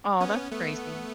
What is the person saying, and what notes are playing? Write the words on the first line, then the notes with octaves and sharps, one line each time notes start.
Oh, that's crazy.
B3 C#4
A3 B3